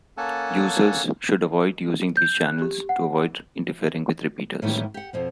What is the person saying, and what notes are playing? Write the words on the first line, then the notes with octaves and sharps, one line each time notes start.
Users should avoid using these channels to avoid interfering with repeaters.
A#3 C#4 A4 F#5 G#5 A5
G6
F#6
G4
F#5
A2 D#3 E3 G3 A#3 B3
G4 F#5
F2 B2 F3